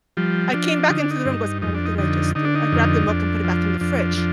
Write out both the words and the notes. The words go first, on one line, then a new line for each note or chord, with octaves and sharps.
I came back into the room, goes, "Oh, what did I just do?" I grabbed the milk and put it back in the fridge.
F3 G3
F3 D4
D3 D#4
D4
D#4
G2
F2 D#4
D4
D#4
D3 D#4
D3 D#4
D4
D#4
F2
F2 D4
F3
F2 D4
F3